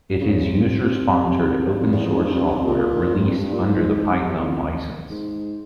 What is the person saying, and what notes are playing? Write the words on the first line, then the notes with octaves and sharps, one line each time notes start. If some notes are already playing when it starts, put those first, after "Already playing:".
It is user-sponsored, open-source software, released under the Python License.
C#3
C3
G2
F2
E2
F2
G#2
G2
F2
G2
C3
A#2
G2
F2
G2
A#2
G#2
C3
E2
F2
G#2